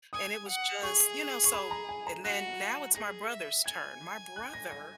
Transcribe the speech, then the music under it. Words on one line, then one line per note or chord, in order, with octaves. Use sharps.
and it was just, you know so, and then now it's my brother's turn. My brother
G#5 D#6
F#5
G#4 C#6
C#6
B5
A#5
G#5
A#5
F#4 F#6
G#4 A#6
E5
G#5 G#6
F#6
A#6
A#6